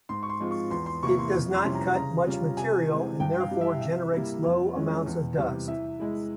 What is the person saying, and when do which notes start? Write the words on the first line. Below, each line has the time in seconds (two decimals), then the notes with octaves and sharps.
It does not cut much material and therefore generates low amounts of dust.
0.09 G#2 C6
0.23 C#6
0.29 C6
0.40 F3 G#3 C4 F4
0.51 C#6
0.71 E2 C6
0.86 C6
1.03 C3 E3 A#3 E4 C#6
1.18 C6
1.34 F2
1.54 C6
1.64 C3 G3 C#4 E4
1.75 A#5
1.95 C#3 A#5
2.27 G3 C#4 F4
2.57 C3 G#5
2.89 E3 G#3 C4
3.20 G2 G5
3.40 F5
3.51 E3 G3
3.61 E5
3.81 C3 E5
4.13 G3 A#3 E4
4.44 F2
4.75 E3 G#3 C#4
5.06 E2
5.37 C3 E3 G3
5.68 E3 E5
6.00 G#3 E4